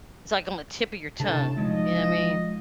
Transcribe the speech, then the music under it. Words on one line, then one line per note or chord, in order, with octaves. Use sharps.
it's, like, on the tip of your tongue, you know I mean?
A1 C3 A3 D4 A5
F3 F#3 G#3 D#4 F4 D#5